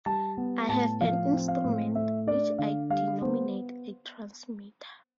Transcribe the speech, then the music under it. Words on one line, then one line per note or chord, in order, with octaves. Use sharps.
I have an instrument which I denominate a transmitter.
G3 A5
B3
A2 A5
F3 F5
C4
F5
A2
A3 E5
D4 D5
D3 F5
G3 F5
B3 C5